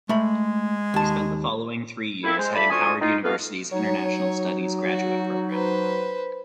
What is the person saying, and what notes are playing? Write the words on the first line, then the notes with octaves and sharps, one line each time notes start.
He spent the following three years heading Howard University‘s international studies graduate program.
G#3 A3 B5
D#2 A5
F2 A#3 C4 E4
G#3 C5
A3 F4 D5 B5
D2 C4 F4 G#5 C#6 D#6
D#4 F4
F2 A3 B3 B4 F5
F#3 D#4 C#5
F#4
B4 C5